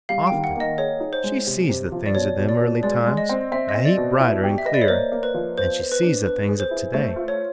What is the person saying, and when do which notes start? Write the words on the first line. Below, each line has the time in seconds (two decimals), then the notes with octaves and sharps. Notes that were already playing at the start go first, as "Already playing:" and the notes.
Often she sees the things of them early times a heap brighter an' clearer than she sees the things of today.
0.09 G3 F5
0.27 D#3 G5
0.44 F#5
0.56 A#3 D#5
0.78 G#4 C#5
1.00 D#4
1.13 C5
1.24 G#3
1.47 C3
1.69 C3
1.92 F3
2.06 D5
2.15 B2 C#5
2.38 B2
2.49 D5
2.60 B2
2.83 G#3 D5
3.06 G#3
3.17 D#5
3.29 C4
3.52 C4 E5
3.69 D#5
3.75 C4
3.85 D5
3.97 B2
4.20 E4
4.43 G4
4.58 E5
4.66 B4 D#5
4.74 D5
4.82 C#5
4.88 A#3 C5
5.12 A#3
5.23 B4
5.34 F3
5.57 B3 C5
5.80 B3
5.92 B4
6.03 D4
6.25 B3 B4
6.49 G#4
6.60 C5
6.71 E4
6.94 A3 C5
7.16 F4
7.28 C#5